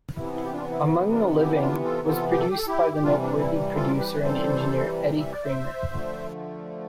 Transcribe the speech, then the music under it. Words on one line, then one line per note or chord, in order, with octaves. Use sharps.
"Among the Living" was produced by the noteworthy producer and engineer Eddie Kramer.
C3 E3 B3 E4
E4
G4
D4 F4
E4
E4
D4 F4
E4 G4
G4
D4 F4
F4 A4
F4 A4
G4
A4
G4
A4
E4 G4
G4
C3 E3 G3 D4 F4
D4
E4
F4 A4
G4 B4
B4
A4 C5
E5
D5
C5 E5
D3 F3 A3